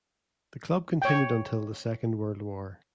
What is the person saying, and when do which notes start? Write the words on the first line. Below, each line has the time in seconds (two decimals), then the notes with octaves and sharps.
The club continued until the Second World War.
1.02 C#5 G5